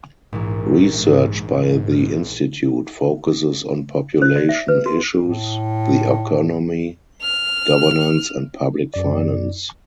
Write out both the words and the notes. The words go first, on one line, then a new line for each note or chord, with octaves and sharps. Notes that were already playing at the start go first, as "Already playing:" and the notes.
Research by the institute focuses on population issues, the economy, governance and public finance.
A#1 G#2 E3
F6
C5
D5
E5
B4
F#4
A2
F6
F#2 D5